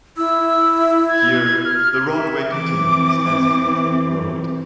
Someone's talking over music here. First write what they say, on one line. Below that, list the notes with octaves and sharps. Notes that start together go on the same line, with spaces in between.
Here, the roadway continues as Cantrell Road.
E4 E6
G#6
F6
E5
E3 C4 D6